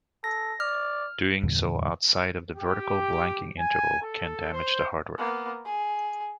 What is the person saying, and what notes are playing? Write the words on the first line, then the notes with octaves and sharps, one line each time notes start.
Doing so outside of the vertical blanking interval can damage the hardware.
A4 A#6
D5 F6
E2 G2 A#2 D3
G4
G#5
A4
C5
A#3 B3
G#4